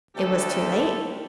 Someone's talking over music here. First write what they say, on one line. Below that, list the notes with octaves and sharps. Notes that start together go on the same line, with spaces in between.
"It was too late?"
D2 G4 A4